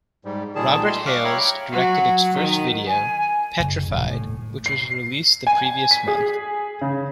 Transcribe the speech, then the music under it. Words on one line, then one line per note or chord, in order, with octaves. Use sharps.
Robert Hales directed its first video "Petrified", which was released the previous month.
G#2 G3
A#2 D#3 G3 G#4 A5
G3 A3 D#5 C6
F5 C#6 D6 F6 F#6
C#5 E5 G5 A#5 B5
F#3 F#4
D#3
G#5
F#1
D#1
A2
C7
G#5
B6
G#4
C#3